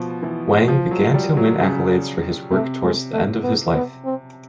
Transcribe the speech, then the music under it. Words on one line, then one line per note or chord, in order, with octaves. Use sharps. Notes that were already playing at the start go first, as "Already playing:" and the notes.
Wang began to win accolades for his work towards the end of his life.
Already playing: B2 F3
E3
F3
F#3
G3
F#3
C#3
C3 A3
G#3
A3
B3
B3
C4